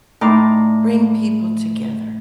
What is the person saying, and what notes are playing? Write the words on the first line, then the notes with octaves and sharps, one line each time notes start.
bring people together?
A2 D#4 D5 A#5 C6 D6